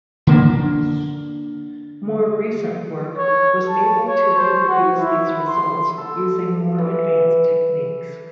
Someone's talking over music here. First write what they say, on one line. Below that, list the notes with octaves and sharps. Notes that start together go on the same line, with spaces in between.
More recent work was able to reproduce these results using more advanced techniques.
D3 A#3 D4
C#5
A5
C#5
C5
F#4
E4
C6
A4
E3